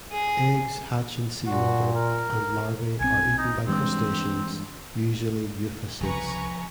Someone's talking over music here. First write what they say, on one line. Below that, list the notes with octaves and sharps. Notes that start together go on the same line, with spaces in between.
Eggs hatch in seawater, and larvae are eaten by crustaceans, usually euphausids.
G#4
A#2 F#4
A#4
B1 C4 G#5
D#4
G2 E3 G#3 C4
C2 C#3 F3 B4 G#5 A#5 C#6